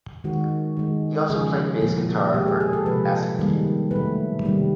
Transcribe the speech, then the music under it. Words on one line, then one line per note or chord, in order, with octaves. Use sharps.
He also played bass guitar for Acid King.
D#3 G#3 F#4
D#3 G#3
C#3 F3 G#3 G#4
A#2 F3 A#3
B2 G#3 G4
G#4
G#4
A4
C3 F3 G#3 B4
D#3 G3 A#3
B2 F#3 A3 B4
C3 D#3 G3 A#3